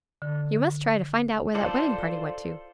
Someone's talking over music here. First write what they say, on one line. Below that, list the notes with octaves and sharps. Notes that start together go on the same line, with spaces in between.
"You must try to find out where that wedding-party went to."
D3
F4 A4 C5 D5